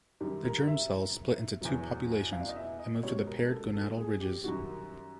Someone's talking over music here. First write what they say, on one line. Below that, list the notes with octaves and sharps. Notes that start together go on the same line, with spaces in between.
The germ cells split into two populations and move to the paired gonadal ridges.
F#2 D#3 G3
A#4
E5
E2 B2 F#3
F5
D5
D#5
E5
D#5
C#2 B2 G3 C#5
A#4
A4
A4
G#4
G4
F#2 D#3 G3 F#4